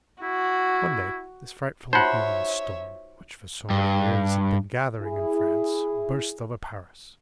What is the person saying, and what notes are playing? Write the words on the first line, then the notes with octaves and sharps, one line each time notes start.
One day this frightful human storm, which for so many years had been gathering in France, burst over Paris.
E4 F#4
D#4 F4 F#4 C5 C#5 E5 F#5
G2
E4 G#4